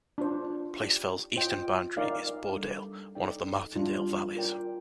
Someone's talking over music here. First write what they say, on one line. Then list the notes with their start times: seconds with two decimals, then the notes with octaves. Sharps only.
Place Fell's eastern boundary is Boredale, one of the Martindale valleys.
0.18 D4 F4 C5
0.77 D#4 G4 D5 G5
1.36 F4 C5 D#5 G5
1.97 D#4 A#4 D5 F5
2.57 G3 D4 A4
3.15 D#4 A4 D5 G5
3.76 G3 D4 F4
4.35 F4 A#4 D5 G5